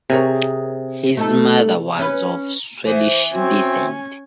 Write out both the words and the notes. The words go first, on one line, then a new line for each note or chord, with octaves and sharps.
His mother was of Swedish descent.
C3 G#4 A#4 C#5
A3 D#4 A4
C#4 B4
E3 B3 C5
C4 C#4 F#4 G#5